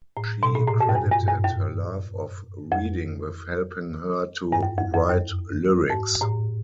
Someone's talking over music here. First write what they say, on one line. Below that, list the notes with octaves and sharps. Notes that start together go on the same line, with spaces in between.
She credited her love of reading with helping her to write lyrics.
A2
B2
A#2
A2
G#2
F#2
G2
G2
G2
F#2
F2
G2
F#2
F2
F2
F#2
G#2
A2